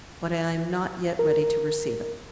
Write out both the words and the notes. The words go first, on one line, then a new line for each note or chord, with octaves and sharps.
"But I am not yet ready to receive it."
A#4